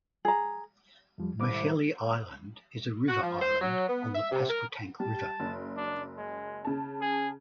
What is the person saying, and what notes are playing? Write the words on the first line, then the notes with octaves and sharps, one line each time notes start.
Machelhe Island is a river island on the Pasquotank River.
G#4 A#5
F2 F3 G3
C2 A2 D#3 D6
F#4
F3
C5
F#3
B3
E5
C3
A#4
G3 A5
F#1
D4
G#3
C#3 A5
G#4